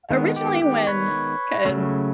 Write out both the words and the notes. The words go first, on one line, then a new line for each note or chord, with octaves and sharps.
originally when, kind of,
D#3 G#3 B3
G4
G4
B4 C#5
C#3 F#3 A3 C#4